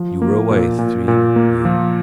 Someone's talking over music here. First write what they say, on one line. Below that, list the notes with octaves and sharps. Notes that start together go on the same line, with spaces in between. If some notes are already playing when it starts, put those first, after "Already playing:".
You were away three years.
Already playing: F3
A#3
A#2
A#2
A#2
A#3
F3